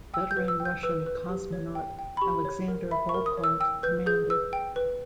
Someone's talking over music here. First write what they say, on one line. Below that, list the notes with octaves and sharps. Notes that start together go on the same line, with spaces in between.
Veteran Russian cosmonaut Alexandr Volkov commanded.
G5 E6
G6
B4
E6
G5
G6
B4 E6
B4
G4
C#5
G5
G5
B5
G4 C#6
C#5
A#4
E5 B5
C#6
A#4
D#6
C#5
E6
G5 E6
B4 G6
G#4 G6
B4 E6
G5
B4